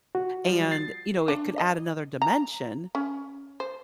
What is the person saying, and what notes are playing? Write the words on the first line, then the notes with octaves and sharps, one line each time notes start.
and, you know, it could add another dimension,
F#4
F3 G3
A6 C7
D4
D#5
A#5
C#4
C5